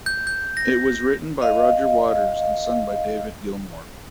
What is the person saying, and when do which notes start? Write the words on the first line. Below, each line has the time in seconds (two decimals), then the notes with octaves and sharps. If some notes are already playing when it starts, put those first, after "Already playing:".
It was written by Roger Waters and sung by David Gilmour.
0.06 G6
0.27 G6
0.57 A#6
1.42 D#5 F5